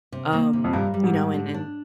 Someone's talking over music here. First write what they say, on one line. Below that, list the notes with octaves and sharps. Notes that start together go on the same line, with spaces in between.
um, you know? And and
C3
A#3
C3
F2
G2 A#4
G3
G#2
G4
D4
D4